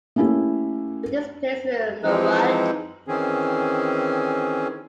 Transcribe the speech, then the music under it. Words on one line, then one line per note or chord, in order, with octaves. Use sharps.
Which is placed in murud.
A3 A#3 C#4 E4 G4
E3 F3 G#3 C4 D#4
D#3 E3 C4 C#4 G#4